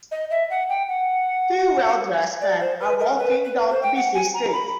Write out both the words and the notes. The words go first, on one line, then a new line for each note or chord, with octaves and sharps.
Two well dressed men are walking down a busy street.
D#5
E5
F#5
G5
F#5
D5
C5
B4
A#4
B4
B4
C5
G5
F#5
G#5
A#5
B5